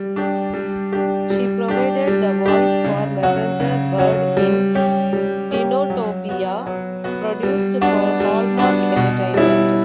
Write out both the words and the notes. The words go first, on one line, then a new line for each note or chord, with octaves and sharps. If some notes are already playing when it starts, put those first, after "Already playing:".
She provided the voice for Messenger Bird in "Dinotopia", produced for Hallmark Entertainment.
Already playing: G3
D4 G4
G3
D4 G4
G3
D4 G4
G3
D4 G4
C#3
F#3 C#4 F#4
C#3
F#3 C#4 F#4
G3
C#4 G4
G3
C#4 G4
F#3
B3 F#4
F#3
B3 F#4
G3
B3 D4 F#4
G3
B3 D4 F#4
B2
G3 C#4 E4